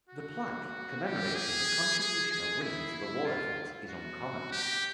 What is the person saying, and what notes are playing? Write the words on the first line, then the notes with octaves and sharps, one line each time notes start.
The plaque commemorating the contribution of women to the war effort is "uncommon".
F#4
G4
G#4
G#4
G#4
E4
F4
F#4
G4